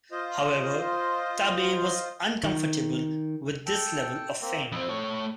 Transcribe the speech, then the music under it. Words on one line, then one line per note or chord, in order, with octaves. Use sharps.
However, Tabei was uncomfortable with this level of fame.
F4 C5 D#5
D#3
A4 G5 A5
A#3 C4
F2 C4 E4 A4
A3 C#5
B5